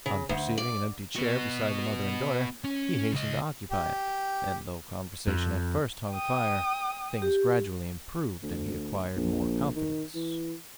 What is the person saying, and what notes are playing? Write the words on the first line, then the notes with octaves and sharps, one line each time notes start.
On perceiving an empty chair beside the mother and daughter, he hastened to occupy it, and though conversation at first hung fire, things gradually improved, and he acquired more confidence.
C#3
D2
D5
B3 F#4
C#4 C#5
C#2 D#5
G4
F2
G5 D#6
G4
D2
A#1
D#3
E3